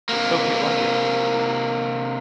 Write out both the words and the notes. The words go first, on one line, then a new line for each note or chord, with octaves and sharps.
Hope you like it.
C3 A#3